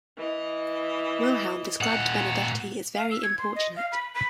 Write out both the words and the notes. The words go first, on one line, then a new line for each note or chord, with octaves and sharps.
Wilhelm described Benedetti as very importunate.
E3 D#5
A#2 F#5
F5
E6
G#6
C6
D#5
F5
B5
B5